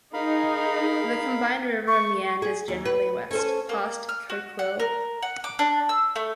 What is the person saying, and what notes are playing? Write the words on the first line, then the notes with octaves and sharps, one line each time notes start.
The combined river meanders generally west, past Coquille.
D#4 G#4 A#4 F5 B5
C#6
G#4
D#2
B4
C#4 A4 C5
A#3
F6
F#4
F#5
A#4
F#5
D6
D4
E6
A3